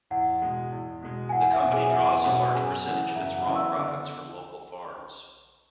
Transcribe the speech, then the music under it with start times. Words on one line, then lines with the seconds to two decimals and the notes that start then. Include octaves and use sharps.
The company draws a large percentage of its raw products from local farms.
0.11 E2 F#5
0.42 B2 G#3
0.72 E2
1.02 B2 G#3
1.29 G#5
1.32 E2 F#5
1.53 E5
1.63 B2 F#3 B3
1.73 G#4 G#5
1.90 E5
1.94 E2 F#5
2.24 B2 F#3 B3 F#5
2.54 F#2 G#4 G#5
2.85 C#3 E3 B3 F#5
3.15 F#2 E5
3.35 F#5
3.46 C#3 E3 B3
3.56 E5 E6
3.76 D3